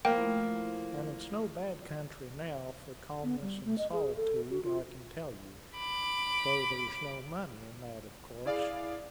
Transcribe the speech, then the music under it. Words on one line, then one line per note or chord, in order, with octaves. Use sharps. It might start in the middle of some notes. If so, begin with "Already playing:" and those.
And it's no bad country now for calmness and solitude, I can tell you--though there's no money in that, of course.
F3 A3 A#3 E4 G5
B3
G3
A3
D#5
G#4
A4
F#4
F4
B5 D6
E4 G#4 D5 F5